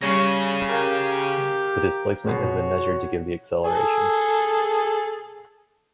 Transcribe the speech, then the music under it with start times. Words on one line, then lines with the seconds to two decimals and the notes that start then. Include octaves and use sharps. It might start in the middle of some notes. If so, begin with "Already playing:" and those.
The displacement is then measured to give the acceleration.
0.02 C#3 G3 C#5 A#6
0.69 G4 A#4 F5
2.25 B2 G#3 F#4 C#5
3.64 G#4 A4